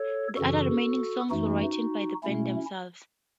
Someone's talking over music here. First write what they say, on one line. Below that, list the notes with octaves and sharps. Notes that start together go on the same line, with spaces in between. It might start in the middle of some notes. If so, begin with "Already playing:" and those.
The other remaining songs were written by the band themselves.
Already playing: A4 C#5
F#2 C#3 E3 F#4 A4
F#2 E3 A3 D#4 F#4
B2 A3 C#4 E4